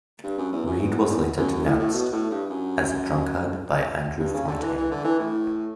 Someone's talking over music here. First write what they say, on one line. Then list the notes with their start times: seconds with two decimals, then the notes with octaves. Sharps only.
Read was later denounced as a drunkard by Andrew Fountaine.
0.24 G2
0.38 F#2
0.53 E2
0.67 F#2
0.80 E2
1.09 E2
1.37 F#2
1.52 F#2
1.66 A2
1.79 A2
1.93 B2
2.13 A2
2.31 G2
2.50 F#2
4.20 G2
4.34 C#3
4.48 D3
4.62 E3
4.77 E3
4.91 D3
5.04 E3
5.19 A2